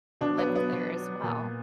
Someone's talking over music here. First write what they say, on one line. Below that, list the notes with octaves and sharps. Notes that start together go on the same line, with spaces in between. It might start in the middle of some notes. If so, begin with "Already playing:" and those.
lived there as well.
B2 D4
B3
F#3
B3
B2
F#3
A#2